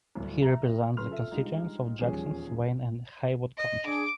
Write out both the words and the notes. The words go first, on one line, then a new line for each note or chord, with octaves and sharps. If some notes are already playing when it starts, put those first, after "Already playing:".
He represents the constituents of Jackson, Swain and Haywood counties.
D1 C2
E5 A#5
F#2 C#3 B4 C6 F6 F7
F4 A4 E5
G3 G#3 D4 D#4 F4
D#1 E2 F3 G3 C#4 G#4
D#5
D4 G#4 D6